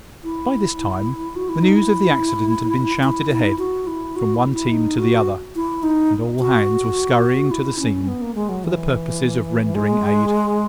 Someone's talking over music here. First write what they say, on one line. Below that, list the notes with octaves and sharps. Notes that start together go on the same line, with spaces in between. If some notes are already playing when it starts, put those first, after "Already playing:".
By this time the news of the accident had been shouted ahead from one team to the other, and all hands were hurrying to the scene for the purpose of rendering aid.
E4
F#4
E4
D#4
E4
E4
E4
D#4
E4
F#4
E4
F#4
E4
E4
D#4
F#4
E4
D#4
F#4
E4
C#4
B3
A#3
G#3
F#3
E3
G#3